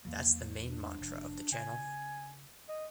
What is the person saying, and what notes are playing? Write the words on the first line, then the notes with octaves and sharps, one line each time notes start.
That’s the main mantra of the channel.
E2 E3 F#3 A#3
D4
F1
C#3 G#5
D#5